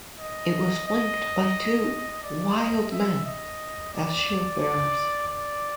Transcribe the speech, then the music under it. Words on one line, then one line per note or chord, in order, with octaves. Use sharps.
It was flanked by two "wild men" as shield bearers.
D#5
D#5
D5
D#5
E5
D#5
D5
D5
D5